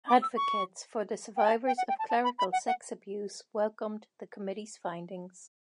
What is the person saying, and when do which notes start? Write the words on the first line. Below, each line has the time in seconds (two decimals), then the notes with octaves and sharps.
Advocates for the survivors of clerical sex abuse welcomed the committee's findings.
0.08 D6
0.22 E6
0.37 C#6
1.37 G5
1.45 A5
1.67 G5
1.78 F#5
1.89 G5
1.99 A5
2.09 A5
2.24 B5
2.38 B5
2.53 F#5
2.67 F#5